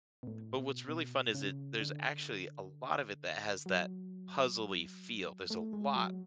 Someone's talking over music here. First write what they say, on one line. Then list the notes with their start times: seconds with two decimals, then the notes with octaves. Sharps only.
but, what's really fun is it there's actually a lot of it that has that puzzle-y feel, there's a lot
0.23 B2
0.27 A2
0.58 B2
0.88 B2
1.35 C#3
1.80 D3
3.66 F#3
5.50 A3
5.73 G#3
5.96 F#3